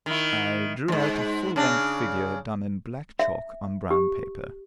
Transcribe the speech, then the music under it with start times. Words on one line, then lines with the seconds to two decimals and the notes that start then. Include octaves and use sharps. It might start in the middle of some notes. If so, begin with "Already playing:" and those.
I drew out a full-length figure done in black chalk on brown paper.
0.06 D#3 E4
0.88 D#2 G#2
1.56 C#3 D4
3.19 E5
3.91 G4